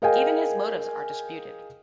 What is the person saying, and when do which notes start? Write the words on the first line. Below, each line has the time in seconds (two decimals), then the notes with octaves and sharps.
Even his motives are disputed.
0.02 G#4 A#4 D#5 F5 G5 G#5